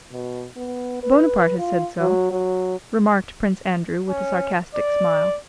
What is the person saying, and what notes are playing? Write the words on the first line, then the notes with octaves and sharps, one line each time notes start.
"Bonaparte has said so," remarked Prince Andrew with a sarcastic smile.
B2
B3
B4
F4
F#3
F#3
C#4
D5